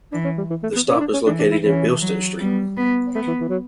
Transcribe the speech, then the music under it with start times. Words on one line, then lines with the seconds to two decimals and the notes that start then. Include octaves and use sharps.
The stop is located in Bilston Street.
0.12 E3 D4
0.24 C#4
0.38 G3
0.50 E3
0.63 A3
0.76 B3
0.88 C#4
0.97 E4
1.00 D4
1.13 C#4
1.26 E3 D4
1.39 D4
1.51 E4
1.63 E3 C#4
2.01 F#3
2.39 G3 B3
2.77 B3
3.15 A3 B3
3.27 E3
3.40 E3
3.49 F#3